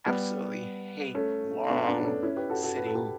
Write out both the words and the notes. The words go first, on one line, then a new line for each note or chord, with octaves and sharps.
absolutely hate long, sitting
G3 B3
A3 C#4
B3 D4
B3 D4
A3 C#4
C#4 E4
G4 B4
F#4 A4
F#4 A4
B4
A4
G4 B4